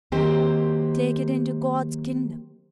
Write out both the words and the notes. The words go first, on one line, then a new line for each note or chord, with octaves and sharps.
Take it into God's kingdom!
D#3 F#3 A#3 C4 G4 C5